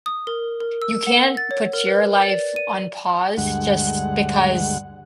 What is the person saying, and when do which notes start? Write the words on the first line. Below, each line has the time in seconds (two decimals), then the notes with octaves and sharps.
you can't put your life on pause just because,
0.06 D#6
0.27 A#4
0.60 A#4
0.82 E6
1.07 F#5
1.37 A6
1.51 C#5
1.73 A#4
1.87 B4
2.22 D5
2.56 D#7
3.38 D2 G2 G#3 F#5